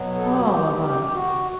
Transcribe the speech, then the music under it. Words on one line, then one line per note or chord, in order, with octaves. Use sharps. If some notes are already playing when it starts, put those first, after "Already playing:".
"All of us."
Already playing: B2 F#3 B3
A4
G4
F#4
G4
G4
G4
F#4